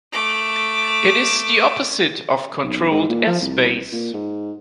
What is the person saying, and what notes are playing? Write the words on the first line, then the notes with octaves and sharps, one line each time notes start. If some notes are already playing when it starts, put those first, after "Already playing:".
It is the opposite of controlled airspace.
A3 D6
B1
G#2
A#2
F3
C2
A#2
G#2